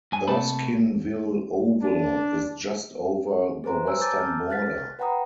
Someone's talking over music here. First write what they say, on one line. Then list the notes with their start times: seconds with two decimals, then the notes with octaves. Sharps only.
Erskineville Oval is just over the western border.
0.12 G2 G#5
0.28 C3 A3 A5 B5
1.82 D4
3.64 G#4 B4 C5 A#5 C6
3.87 C#5 G#5 E6
4.01 A5 A#5 D6 E6 G6 A6
4.15 A5 F6 G6
4.50 F6 F#6 A6 B6
4.99 B4 F#5 G5 A#5 B5 D#6